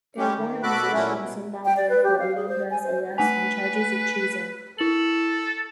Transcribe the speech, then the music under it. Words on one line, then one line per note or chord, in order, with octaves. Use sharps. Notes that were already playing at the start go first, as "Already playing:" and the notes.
A warrant was issued in Zimbabwe for Olonga's arrest on charges of treason.
G3 G#3 C#4 G4
D#3
B2 F#4 A4 B5 D6 F#6
A#2 F#3 A3 C#4 E4
B2
G5
D5
B4
G4
F5
G#4
C5
G#5
C5
A3 B4 G#5
E4 A4 F#7